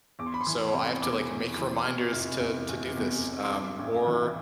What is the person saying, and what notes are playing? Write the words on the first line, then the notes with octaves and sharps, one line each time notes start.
So, I have to, like, make reminders to to do this, um, or,
E2 D6
C6
B5
C6
E3
C3
E1 D6
E2
E3
E2 F6
F1
C3
F1
E2
F1
C6
G2 D6
A1
E3